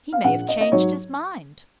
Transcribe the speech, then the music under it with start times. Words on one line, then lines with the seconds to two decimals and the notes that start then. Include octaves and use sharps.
"He may have changed his mind."
0.13 F5
0.24 A#1 F#5
0.49 D#5
0.61 D#5
0.72 G#2 F#3 C#5